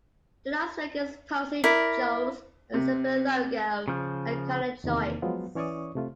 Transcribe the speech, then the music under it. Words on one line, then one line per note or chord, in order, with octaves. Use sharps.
The Las Vegas Posse chose a simpler logo and colour choice.
E4 A#4 D5
C3
C#3 F3
E2 C3 D#3 A#3
F3 F#3 G#3 B3 F4
E3 C#4 C#5 D5 C#6 D#6
C3 A3 F4